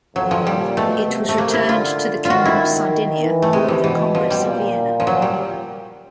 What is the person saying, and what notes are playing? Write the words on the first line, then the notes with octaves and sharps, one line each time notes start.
It was returned to the Kingdom of Sardinia by the Congress of Vienna.
F2 F#3
F3
A#2 G3
B2 A3
C3
A3
A#3
E4
D3 F4
F4
D#3 F#4
E4
D#3
E3
A3
C3 G#3
E3
B2 E3
F3
G3
A#2
F3
F#3
G3